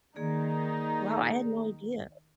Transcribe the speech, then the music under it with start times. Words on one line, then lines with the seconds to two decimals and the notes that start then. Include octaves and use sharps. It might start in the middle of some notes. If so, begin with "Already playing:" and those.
Wow, I had no idea.
0.16 D#3 A#3 D#4 G#4 D5